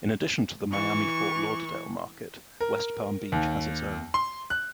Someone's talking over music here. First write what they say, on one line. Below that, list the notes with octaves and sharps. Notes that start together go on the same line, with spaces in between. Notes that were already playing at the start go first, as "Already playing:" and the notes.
In addition to the Miami-Fort Lauderdale market, West Palm Beach has its own.
E3 C#6
A#4
D#2
C6
F#6